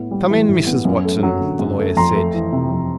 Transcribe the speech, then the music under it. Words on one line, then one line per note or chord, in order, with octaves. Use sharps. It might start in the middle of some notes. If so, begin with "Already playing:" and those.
"Come in, Mrs. Watson," the lawyer said.
Already playing: A2 B3
G3
E3
A2
B3
F#2
A3
F#3
D3
F#2
A3
F2 A#5 C6
A3
E3
C3
F2